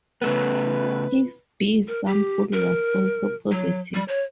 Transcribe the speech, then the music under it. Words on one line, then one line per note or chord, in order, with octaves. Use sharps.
His "B" sample was also positive.
C#3 A3 B3 B4
A#4
G4
A#4
F#3
G3
C#5